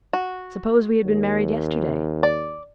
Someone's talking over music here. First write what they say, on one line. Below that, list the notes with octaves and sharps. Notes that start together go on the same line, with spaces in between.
Suppose we had been married yesterday?
F#4
D#2
D5